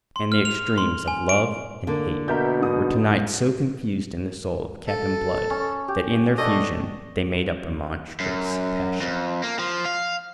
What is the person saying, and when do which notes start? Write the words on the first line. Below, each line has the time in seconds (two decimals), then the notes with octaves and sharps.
And the extremes of love and hate were to-night so confused in the soul of Captain Blood that in their fusion they made up a monstrous passion.
0.16 C6
0.32 F6
0.45 F7
0.78 C6
1.08 G#5
1.29 D7
1.87 D3 A#3
2.28 B2 A#4 E5 G6
2.61 G#2 D#6
4.88 A4
5.50 C#4
5.88 G4
6.38 A3 D4 D#5 F#5
8.20 F#2
9.01 F2
9.44 A#3
9.59 F3
9.85 F5